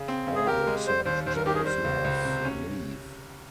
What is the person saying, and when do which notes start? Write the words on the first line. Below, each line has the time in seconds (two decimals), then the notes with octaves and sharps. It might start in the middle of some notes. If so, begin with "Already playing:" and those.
All except Jaroslav leave.
Already playing: C#3
0.08 C4
0.27 C#3
0.35 G#4
0.47 G4 A#4
0.67 G#3
0.87 G3 C5
1.06 D#2 C5
1.26 D#2 C5
1.36 A#4
1.46 D#3 G4
1.55 G#4
1.65 G3 C5
1.84 C#2
2.04 C#2
2.25 C3
2.45 C#4